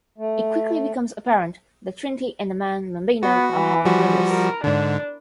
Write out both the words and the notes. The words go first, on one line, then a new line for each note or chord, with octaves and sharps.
It quickly becomes apparent that Trinity and the man, Bambino, are half-brothers.
A3
B3 F#4
E3
F3 G3 F#4
A#4
G#2 D3 D4